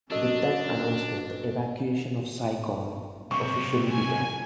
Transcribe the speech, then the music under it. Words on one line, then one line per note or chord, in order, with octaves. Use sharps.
With that announcement the evacuation of Saigon officially began.
F#2 D4 F#4 A4 D#5
B1 C3 C#6
G#5